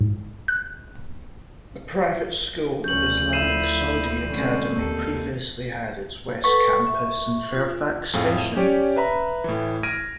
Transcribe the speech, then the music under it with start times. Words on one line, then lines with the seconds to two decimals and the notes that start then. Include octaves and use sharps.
The private school Islamic Saudi Academy previously had its West Campus in Fairfax Station.
0.01 G#2
0.48 F#6
2.84 D2 F3 C#4 G6 F#7
3.33 E4 C7 D#7 E7
4.30 D3 G#3 C4 C#4
4.75 D#2 A4
6.44 A4 B4 F#5 C#6
6.87 E5
7.55 F4
8.13 F2 A2 G#4 F5
8.56 C#4 G4 C#5 D5
8.96 B4 E5 A#5 B5
9.44 A2 E3
9.83 F6 G#6 A#6 D7 D#7